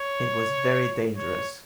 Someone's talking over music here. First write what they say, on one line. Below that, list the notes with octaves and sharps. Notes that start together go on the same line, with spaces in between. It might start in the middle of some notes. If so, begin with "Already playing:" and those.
It was very dangerous.
Already playing: C#5
C#5